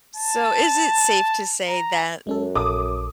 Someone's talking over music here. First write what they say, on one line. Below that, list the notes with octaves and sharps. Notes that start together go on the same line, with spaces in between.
So is it safe to say that
A5
A#5
F#2 G#3 C#4 A4
A#1 A4 D6 D#6